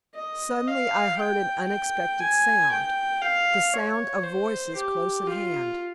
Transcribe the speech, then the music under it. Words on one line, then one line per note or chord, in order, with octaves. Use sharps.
Suddenly I heard an unexpected sound--the sound of voices close at hand.
D#5
F5
G5
G5
G#5
G5
F5
C#5
C5
G4
F4